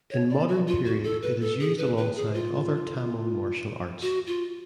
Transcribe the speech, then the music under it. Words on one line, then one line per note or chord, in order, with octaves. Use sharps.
In modern period it is used alongside other Tamil martial arts.
C#5
D5
F#4
F4
F#4
A4
B4
A4
G#4
B4
B4
G#4
F4
F#4
F4